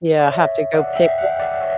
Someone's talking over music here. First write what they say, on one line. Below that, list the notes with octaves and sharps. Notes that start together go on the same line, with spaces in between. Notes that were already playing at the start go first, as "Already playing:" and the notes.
Yeah, have to go pick it.
D5
C#5 E5
D5 F#5
E5 G5
F#5
G5
D5 F#5
C#5 E5